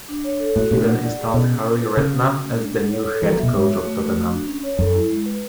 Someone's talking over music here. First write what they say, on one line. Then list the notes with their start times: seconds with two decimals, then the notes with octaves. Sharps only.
He then installed Harry Redknapp as the new Head Coach of Tottenham.
0.09 D4
0.24 C#5
0.40 A4
0.56 A2 F#4
0.71 A2 D4
0.87 F#5
1.03 D5
1.18 G#4
1.34 B2 C#4
1.50 C#4
1.66 B4
1.81 G#4
1.97 C#3 F#3
2.13 F#4
2.28 C#4
2.44 A3
2.60 D4
2.75 F#5
2.91 C#5
3.07 A4
3.22 E3 B3
3.32 F#3
3.38 B2 E5
3.54 G#2 C#5
3.69 F#4
3.85 A3
4.00 A3
4.16 F#4
4.32 D4
4.48 C#4
4.63 C#5
4.79 F#2 A4
4.95 E4
5.10 G#3
5.26 B4